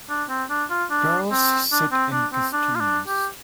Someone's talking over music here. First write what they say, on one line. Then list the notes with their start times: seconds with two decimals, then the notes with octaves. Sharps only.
Girls sit in costumes.
0.10 D4
0.29 C4
0.50 D4
0.70 F4
0.90 D4
1.31 C4
1.72 D4
1.92 C4
2.12 D4
2.33 C4
2.53 D4
2.75 F4
2.80 D4
3.07 G4